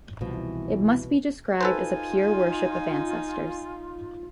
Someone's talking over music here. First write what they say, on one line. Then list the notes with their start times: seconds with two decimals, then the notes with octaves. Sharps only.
It must be described as a pure worship of ancestors.
0.21 C2 B2 E3 F3
1.61 D#4 F4 A4 B4 C5 G#5